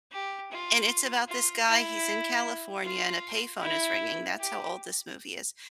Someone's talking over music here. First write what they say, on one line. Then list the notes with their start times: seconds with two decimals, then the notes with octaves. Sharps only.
and it's about this guy, he's in California, and a payphone is ringing, that's how old this movie is.
0.12 G4
0.51 F4
1.28 F4
1.67 E4
2.83 F4
3.62 E4
4.39 G4